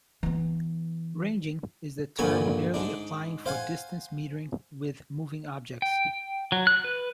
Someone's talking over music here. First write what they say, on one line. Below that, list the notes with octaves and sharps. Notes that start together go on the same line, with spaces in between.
Ranging is the term merely applying for distance metering with moving objects.
E3 B3
A#1 G2 A#2 D3 G#5 C#6
G#2 G#3 D4
C5 F5 F#5 G#5
G5
F#3
F#6
B4